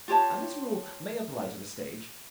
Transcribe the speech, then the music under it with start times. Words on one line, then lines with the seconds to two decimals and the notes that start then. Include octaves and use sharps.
And this rule may apply to the stage.
0.08 F4 G4 C#5 A5